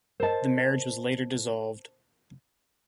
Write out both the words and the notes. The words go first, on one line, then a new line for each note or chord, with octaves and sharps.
The marriage was later dissolved.
A#4 C5 D#5 A5